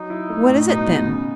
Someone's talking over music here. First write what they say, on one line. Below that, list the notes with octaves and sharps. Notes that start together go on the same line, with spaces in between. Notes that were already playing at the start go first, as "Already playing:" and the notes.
"What is it, then?"
Already playing: F#3 D#4
E4
A3
A2
B2 D#4
B3
C#3